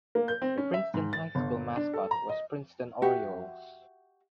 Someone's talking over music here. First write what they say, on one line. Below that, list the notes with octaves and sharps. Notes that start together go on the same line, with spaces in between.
The Princeton High School mascot was Princeton Orioles.
A#3
G6
C4
C#4
E5
G#2
A6
G1
D4
A4
A#5
D#5
F#4 G4 E5 F#5